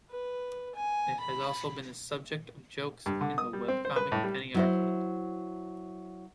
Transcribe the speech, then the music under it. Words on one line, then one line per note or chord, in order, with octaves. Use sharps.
It has also been the subject of jokes in the webcomic Penny Arcade.
B4
G#5
B5
G2
D3
D#6
G3
C4
C5
B4
A2
G3
F#3 E4 C5